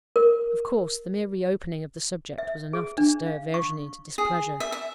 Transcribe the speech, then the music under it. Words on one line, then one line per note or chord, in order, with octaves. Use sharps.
Of course, the mere reopening of the subject was enough to stir Virginie to displeasure.
A#4
E5
G#4
D4
F5
C#6
G#4
E5
E5